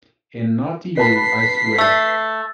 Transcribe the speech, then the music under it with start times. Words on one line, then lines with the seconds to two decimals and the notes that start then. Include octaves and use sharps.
And not you, I swear!
0.97 B4 A5 B5 B6 C7
1.78 A3 E6 A6